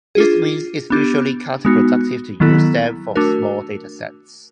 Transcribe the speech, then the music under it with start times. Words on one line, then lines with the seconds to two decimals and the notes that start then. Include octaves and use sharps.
This means it's usually counter-productive to use them for small datasets.
0.15 D4 F4 G#4
0.90 B3 D4 G4
1.65 G#3 B3 D#4 F#4
2.40 D#3 F#3 B3 E4 A4
3.15 A3 D4 F#4 A#4